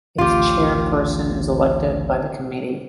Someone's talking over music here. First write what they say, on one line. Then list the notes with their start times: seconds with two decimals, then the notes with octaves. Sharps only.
Its chairperson is elected by the committee.
0.18 A1 D2 F4 G4